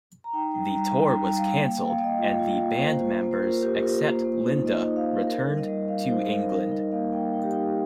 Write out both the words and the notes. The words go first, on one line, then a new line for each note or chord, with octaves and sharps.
The tour was cancelled and the band members, except Linda, returned to England.
A#5
D#4 G5
G3 G5
G3 A#5
D#4 G5
G3 G5
G3 F5
A#3 G5
G5
A#3
F5
A#3
D#5
F4
F4
A#3
A#3 C5
F4
A#3
C5
F4 A#4
F4 G4
F4 A#4
A#3 C5
A#3
D#4
A#3 D#5
D#4
F5
D#4
D#4 A#4
G3
D#5
G3
G3 F5
D#4 C5
G3 A#4
D#4 A#4
D#4 D#5
A#3 F5
A#3 G5
D#4
G4
D#4